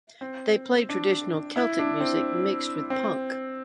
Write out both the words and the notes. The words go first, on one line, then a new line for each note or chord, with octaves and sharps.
They played traditional Celtic music mixed with punk.
C4
D4
E4
D4
C4
C4